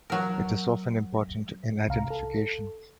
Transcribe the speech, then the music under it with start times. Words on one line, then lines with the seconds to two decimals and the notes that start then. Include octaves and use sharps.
It is often important in identification.
0.10 F#3 A#4
1.89 C2 F5 A#5
2.10 A4